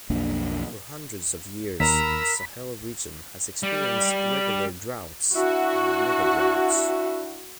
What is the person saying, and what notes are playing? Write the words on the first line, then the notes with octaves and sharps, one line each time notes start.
For hundreds of years, the Sahel region has experienced regular droughts and megadroughts.
B1 F2 A#3 D4
D#2 A#4 A#5 B5 E6
G3
D4 E4 F#4